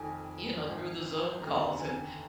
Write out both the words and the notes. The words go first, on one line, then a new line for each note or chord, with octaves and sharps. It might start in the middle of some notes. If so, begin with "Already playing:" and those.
you know, through the Zoom calls and
Already playing: F1 F2 D#3 G#5
G#1 G#2 F3
F1 D#2 D3 A#5
G#5